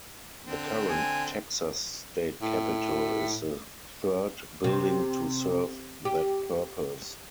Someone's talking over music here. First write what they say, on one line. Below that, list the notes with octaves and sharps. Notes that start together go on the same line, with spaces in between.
The current Texas State Capitol is the third building to serve that purpose.
D3 C4
G#5
A2
C3
G4